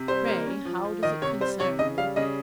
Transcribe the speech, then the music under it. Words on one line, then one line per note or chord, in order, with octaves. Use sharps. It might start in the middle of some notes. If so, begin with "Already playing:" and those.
'Pray how does it concern you?
Already playing: C3
G3 C5
A#3
C#4
F3
F3
D#3 D#5
C3 C#5
G3 C5
C3 C#5
C#3 D#5
G3 F5
C#3 D#5